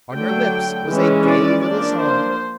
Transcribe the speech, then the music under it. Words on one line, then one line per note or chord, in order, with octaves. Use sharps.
On her lips was a gay little song.
D3 F#3 A3 G5
E3 G#3 C#4
D5
F3 A#3 D4 D5
C5